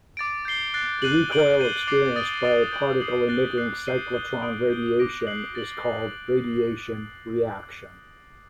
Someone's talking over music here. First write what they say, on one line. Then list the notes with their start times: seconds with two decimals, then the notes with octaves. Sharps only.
The recoil experienced by a particle emitting cyclotron radiation is called radiation reaction.
0.17 D6 A6 D7
0.45 G6 C7 G7
0.74 F#6 A6 C7
1.02 F#6 C7 D#7 F#7
1.31 G6 D7 F#7
1.60 G6 C7 D#7 G7
1.87 D6 A6 C7
2.16 D#6 A6 D7 G7
2.44 D6 A6 D7 G7
2.72 G6 D7 F#7
3.00 D#6 G6 C7 F#7
3.29 F#6 A6 C7 G7
3.57 D6 F#6 C7
3.85 G6 C7 D#7 G7
4.13 D#6 G6 C7 D#7 G7
4.42 D#6 G6 D7
4.70 G6 D7 G7
4.99 D6 G6 A#6 D7
5.27 F#6 C7 F#7
5.55 A6 D7 F#7